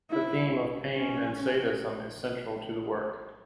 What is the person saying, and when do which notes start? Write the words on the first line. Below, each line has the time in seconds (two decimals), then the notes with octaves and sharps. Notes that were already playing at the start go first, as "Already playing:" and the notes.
The theme of pain and sadism is central to the work.
0.11 E4
0.94 C#4